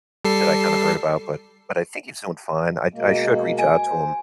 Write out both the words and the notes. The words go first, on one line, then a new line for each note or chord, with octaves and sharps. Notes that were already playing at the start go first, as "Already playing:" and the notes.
that I kinda heard about, but but I think he's doing fine. I I should reach out to him.
G3 A4 C7
B2 G#3 A#3
G#5
C5